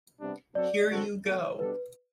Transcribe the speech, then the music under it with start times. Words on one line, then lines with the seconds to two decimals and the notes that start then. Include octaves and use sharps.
Here you go.
0.20 C3 G3 B3 D4
0.55 F#3 C4 F#4 A4 D5
0.89 D3 F#3 C4 F#4 A4
1.24 B2 F#3 A3
1.59 B2 G3 D4 A4 B4